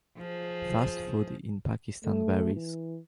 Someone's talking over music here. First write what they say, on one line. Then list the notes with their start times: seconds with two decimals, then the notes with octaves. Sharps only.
Fast food In Pakistan varies.
0.18 F3 G#4
2.05 A3
2.55 E3